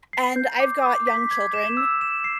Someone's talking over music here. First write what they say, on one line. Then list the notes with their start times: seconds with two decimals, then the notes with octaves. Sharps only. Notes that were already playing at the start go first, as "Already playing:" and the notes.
And I've got young children,
0.13 C7
0.36 G6
0.60 D6
0.84 D6
1.07 B6
1.31 G#6
1.54 E7
1.77 E6
2.01 E7
2.24 C7